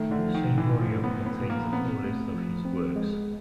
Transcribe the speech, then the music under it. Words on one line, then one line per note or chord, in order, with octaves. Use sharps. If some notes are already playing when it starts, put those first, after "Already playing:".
The same volume contains a full list of his works.
Already playing: D#3 A3
D3
F3
D#3
A2
E3
F3 A3
B3
F3
B3
A#2
A#3
B3 C4
A3
F3
C4
G#3